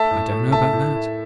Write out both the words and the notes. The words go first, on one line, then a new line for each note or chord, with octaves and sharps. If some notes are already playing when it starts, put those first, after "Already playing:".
I don't know about that.
Already playing: A3 E5 A5
A2
A2
A3 E5 A5
A2
E4